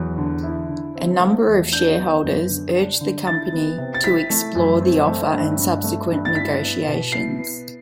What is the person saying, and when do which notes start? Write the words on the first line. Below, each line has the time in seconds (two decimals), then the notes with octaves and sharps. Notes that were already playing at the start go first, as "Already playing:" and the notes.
A number of shareholders urged the company to explore the offer and subsequent negotiations.
Already playing: E2 F#3
0.18 D3
0.43 E4
0.69 D3
0.95 C4
1.20 A3
1.47 E2
1.72 D4 G6
1.98 B3
2.24 F#2
2.50 D3
2.76 D4
3.01 D3
3.27 E4 A6
3.53 B3
3.78 C3
3.94 A6
4.04 E4 B6
4.30 A3
4.55 F#2
4.81 C4
5.07 A3
5.33 G2
5.59 G2
5.84 A3
6.10 G2
6.25 A6
6.35 E4 B6
6.61 B3
6.87 B2
7.12 E4 C7
7.38 B3